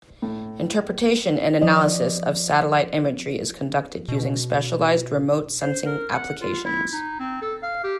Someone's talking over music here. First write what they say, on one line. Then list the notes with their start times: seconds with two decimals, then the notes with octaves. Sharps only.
Interpretation and analysis of satellite imagery is conducted using specialized remote sensing applications.
0.22 A2
1.61 F3 D5 D#5
4.08 B2
5.61 C5
5.86 A#4
6.13 F#5
6.42 F4
6.65 E4
6.93 D#4
7.20 C4
7.42 A4
7.63 F5
7.84 G4